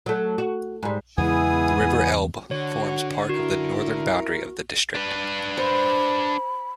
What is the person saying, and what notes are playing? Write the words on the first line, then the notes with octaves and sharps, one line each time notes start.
The river Elbe forms part of the northern boundary of the district.
F#3 A3
F#4
G#2 G3
E2 C#3 G#3 B3 E4 G#4 G#5 D#6
D3 F#4 C#5
E4 F#4 A#4
D4 B4
C5 B5